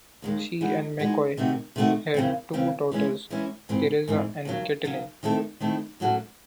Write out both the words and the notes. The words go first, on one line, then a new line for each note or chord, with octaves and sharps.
She and McCoy had two daughters, Theresa and Kaitlin.
D#2 D#3 G#3
E3 G#3 D#4 F#4
E3 G#3 D#4 F#4
C3 D#3 A3 D#4 F#4
C3 D#3 A3 D#4 F#4
D#2 C#3 E3 C4
D#2 C#3 E3 C4
E3 G#3 C#4 E4
E3 G#3 C#4 E4
G#2 E3 C4
G#2 E3 C4
D#2 C#3 F#3
D#2 C#3 F#3
D#3 A3 C4 E4 A4
D#3 A3 C4 E4 A4
A2 F#3 C#4 F#4 A4